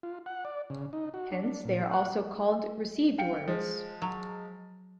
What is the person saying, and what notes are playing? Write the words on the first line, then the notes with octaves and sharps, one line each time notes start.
Hence they are also called received words.
F4
F#5
D5
C#3
D#4
F#4
D4
A#2
F#5
F5 G5 C#7
F3 G#3
F#3